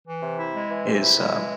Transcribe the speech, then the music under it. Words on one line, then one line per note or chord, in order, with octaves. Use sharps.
is, um,
E3
C3
E4
G#3
E3
C3
E4
G#3
E3